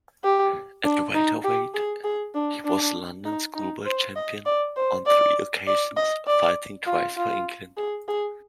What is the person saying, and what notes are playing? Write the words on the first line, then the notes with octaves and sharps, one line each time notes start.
At welterweight, he was London schoolboy champion on three occasions, fighting twice for England.
G4
D4
D#4
G4
G#4
G#4
D4
D4
D#4
D#4
C5
D#5
D5
C5
D5
D5
D#5
D5
F4
F4
G#4
G#4